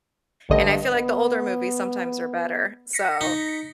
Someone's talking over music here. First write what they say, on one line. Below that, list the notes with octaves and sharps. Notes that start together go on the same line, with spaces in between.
and I feel like the older movies sometimes are better, so
A1 G2 D3 D#5
B3
A#6 B6 C#7
D#4